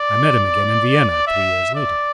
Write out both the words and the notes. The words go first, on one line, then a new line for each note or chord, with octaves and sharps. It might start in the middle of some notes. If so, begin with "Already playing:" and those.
I met him again in Vienna three years later.
Already playing: D5
E5
D5